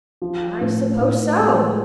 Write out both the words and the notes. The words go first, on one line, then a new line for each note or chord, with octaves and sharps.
'I suppose so.
F3
A2
A2
G#3